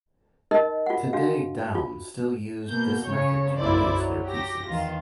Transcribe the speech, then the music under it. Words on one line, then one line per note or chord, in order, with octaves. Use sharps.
Today Daum still used this method to produce their pieces.
D#4 A#4 D#5
F4 F#5
D4 F#4 F5
F4
B2 A#3 G6
C#3 C#5
B1 F#2 A#3 E4 C5 D5
F#3
G4 A#6
E2 D#3 F4